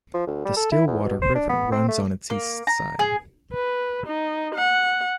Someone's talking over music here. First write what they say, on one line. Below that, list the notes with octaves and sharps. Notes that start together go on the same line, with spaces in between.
The Stillwater River runs on its east side.
F3
D2
G3
A4
E4
E2
B2
C5
D4
B3
C4
A3
A#3
A#5
G#4
B4
D#4
F#5